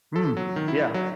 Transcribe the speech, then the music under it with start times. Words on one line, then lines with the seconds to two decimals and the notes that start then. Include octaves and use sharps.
Mm. Yeah.
0.16 A4
0.37 F#3
0.56 D#3
0.68 E4
0.94 F#3